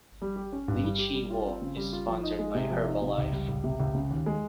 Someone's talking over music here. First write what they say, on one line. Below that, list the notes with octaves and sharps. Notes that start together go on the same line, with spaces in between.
Lee Chi Wo is sponsored by Herbalife.
G3
G4
C#4
G2
G3
G4
G3
F4
C4
C#3
G3
F4
F3
D#4
G#3
C3
F3
D#4
C3
C#2
G3
C#2
C3
C#2
C#3
D#2
G#3